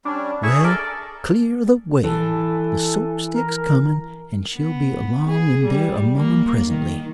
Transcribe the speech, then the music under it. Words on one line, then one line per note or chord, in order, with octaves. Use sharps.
"Well, clear the way! the Soap-stick's coming, and she'll be along in there among 'em presently."
G3 C#4 D4
G#4 E5 C#6
A4 A#4 D5
E3 A4
A#4
B3
G#4
G3
A#3
D#3